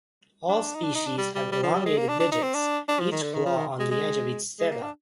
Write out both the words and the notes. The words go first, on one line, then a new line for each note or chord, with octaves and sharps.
All species have elongated digits, each claw on the edge of each seta.
D4
D#4
D4
D#4
D4
G3
G3
G3
F3
G3
G#3
A#3
D4
D4
D#4
C4
D4
D4
F3
D#3
D3
D#3
F3
D#3
G#3
G#3
G#3
A#3
D4